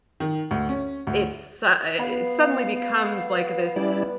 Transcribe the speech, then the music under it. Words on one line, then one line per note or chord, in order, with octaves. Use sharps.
it's su it suddenly becomes like this,
D#3
D2
C#4
D2
B3 F5
G3 C#4 E4 D5